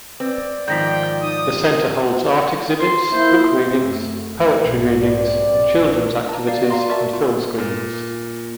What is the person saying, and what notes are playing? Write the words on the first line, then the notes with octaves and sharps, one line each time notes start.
The centre holds art exhibits, book readings, poetry readings, children's activities and film screenings.
C4 B4 D5
G#2 D#3 F3 G5 G6 A#6 B6
D#4 D#6
C6
A#3 E4 C5
F#2 A3
B1 G#2
G2 C3 D5
B1
D4
A5 A#5
D5 F5
D5 F5 A#5 C6
F#4 A#4 D5 E5 A5
F4 C#6
A#2